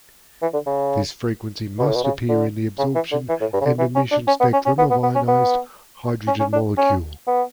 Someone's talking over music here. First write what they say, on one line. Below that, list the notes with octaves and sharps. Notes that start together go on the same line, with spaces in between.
This frequency must appear in the absorption and emission spectrum of ionized hydrogen molecule.
E3
D3
C#3
B2
A2
B2
C#3
D3
C#3
E3
D3
E3
A2
G2
C#3
D3
E3
C#4
D4
C#4
B3
C#4
C#4
B3
B3
B3
C#4
B3
C#4
C#4
D4
C#4
B3